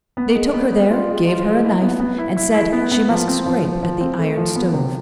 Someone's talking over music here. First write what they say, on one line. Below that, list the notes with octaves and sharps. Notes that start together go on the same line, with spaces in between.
They took her there, gave her a knife, and said she must scrape at the iron stove.
B3
G#3
B3
B3
F4
G#3
F4
G#3
E4
B3
B3
E4
E4
E4
B3
B3
F3
C4
F3
F3
F3
C4
A3
F3
B3
C3